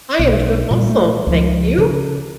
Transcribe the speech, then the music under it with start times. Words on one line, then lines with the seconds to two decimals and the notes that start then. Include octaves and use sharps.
I am doing awesome, thank you.
0.19 B1
0.71 A#2 G3
0.89 A3
1.27 C#2 F3
1.78 C#3